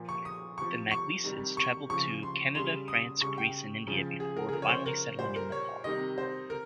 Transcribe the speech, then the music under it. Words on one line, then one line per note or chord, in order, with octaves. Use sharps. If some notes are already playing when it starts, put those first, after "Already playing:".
The MacLises travelled to Canada, France, Greece and India, before finally settling in Nepal.
Already playing: A#2 F3
C#6
D#6
C3 F3 C#6
C#6
C3 D#3 G3
C#6
C#3 F3 C#6
C6
C#3 G3 C6
D#6
C#3 G3 C#6
G5
C#3 F3
G#4
A#4
G#4
C#3 F3 A#4
C#5
C5
A#4
A#2 G3 C5
A#4
C#5
C3 D#3 G3 D#5
C5
A#4